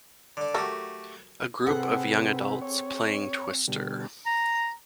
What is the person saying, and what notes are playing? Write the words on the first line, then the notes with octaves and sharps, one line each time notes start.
A group of young adults playing Twister.
D3 D4
F#3 A3 F#4 G4 A4 A#4
C3 C4 G#4 A4 B4 F#5
C#5
B2 D3 G3
A#5